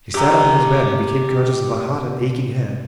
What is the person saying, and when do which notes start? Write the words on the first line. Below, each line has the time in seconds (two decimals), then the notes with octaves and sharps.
He sat up in his bed and became conscious of a hot and aching head.
0.15 G4 A#5